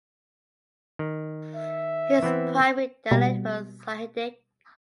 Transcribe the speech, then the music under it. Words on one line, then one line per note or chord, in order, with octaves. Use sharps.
His primary dialect was Sahidic.
D#3
E5
E3 B3 C4
B2 G3 A#3